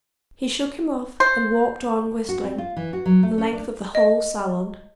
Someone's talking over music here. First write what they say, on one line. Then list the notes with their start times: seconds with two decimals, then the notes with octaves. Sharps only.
He shook him off, and walked on whistling, the length of the whole salon.
1.20 C5
2.29 F#4
2.44 C4
2.58 F4
2.77 E3
2.93 F#4
3.06 F#3
3.23 A3
3.38 C#4
3.53 D4
3.95 D#5